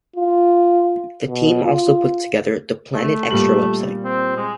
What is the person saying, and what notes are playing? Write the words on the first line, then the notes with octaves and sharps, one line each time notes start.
The team also puts together the "Planet Extra" website.
F4
B2
F4
A3
A#2 G3 F#7
C4
G#3